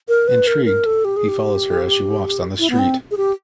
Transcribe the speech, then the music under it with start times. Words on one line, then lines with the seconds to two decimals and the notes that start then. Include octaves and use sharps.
Intrigued, he follows her as she walks down the street.
0.08 A#4
0.28 B4
0.47 A#4
0.66 A#4
0.86 A4
1.05 G4
1.16 G#4
1.28 G4
2.59 E4
2.70 B3
2.79 C4
3.11 G#4
3.17 G4